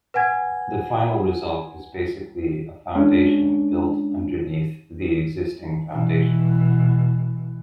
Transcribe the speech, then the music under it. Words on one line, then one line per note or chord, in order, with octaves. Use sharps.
The final result is basically a foundation built underneath the existing foundation.
B4 F#5 G#5 G#6
G#3 C#4 D4
B2 E3